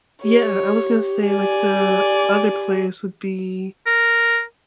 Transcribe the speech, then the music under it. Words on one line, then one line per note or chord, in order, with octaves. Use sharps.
Yeah, I was gonna say, like, the other place would be,
G4 C#5
D5 G#5
A#4